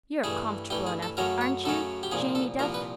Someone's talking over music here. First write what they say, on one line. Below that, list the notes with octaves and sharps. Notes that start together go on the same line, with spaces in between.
"You're comfortable enough, aren't you, Jamie Duff?"
G2 E3 A3 G#4
G2 E3 A3 G4
G#4
A4
F#2 C#3 F#3 A3 C#4 A#4
C#5
F#2 C#3 F#3 A3 C#4 A4
G4
C2 A#2 F3 G#4
A4
C2 A#2 F3 A#4
B4